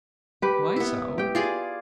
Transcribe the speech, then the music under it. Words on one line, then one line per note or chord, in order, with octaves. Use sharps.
"Why so?"
G4 B4
B3 E4
G4 G5
F4 G#4 D5